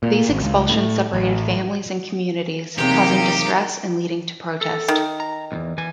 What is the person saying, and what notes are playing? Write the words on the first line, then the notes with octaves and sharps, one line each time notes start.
These expulsions separated families and communities, causing distress and leading to protest.
A#2
G#1
C#2
A2
A1
E2 C3 F#3 A#3 D#4 G4
A4
D#3
A#5
B1 E2
E3 G#5